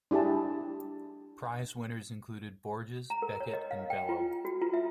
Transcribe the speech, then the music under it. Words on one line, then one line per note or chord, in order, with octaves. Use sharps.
Prize winners included Borges, Beckett and Bellow.
D4 E4 G4 G#4 A5
A#5
A#4
C#5
D#5
F5
G5
F4
F#4
F4
E5